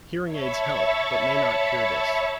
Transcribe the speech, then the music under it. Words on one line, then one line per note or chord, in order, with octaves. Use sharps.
Hearing aids help, but may not cure this.
C#5 E5 A5 B5 C#6 A6